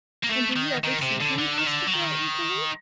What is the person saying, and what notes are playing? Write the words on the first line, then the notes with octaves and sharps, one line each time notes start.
"And do you ever see him?" asked the girl, eagerly.
A#3
A3
D#3
D#3
C3
D3
D3
D#3
D3
F#3
D#3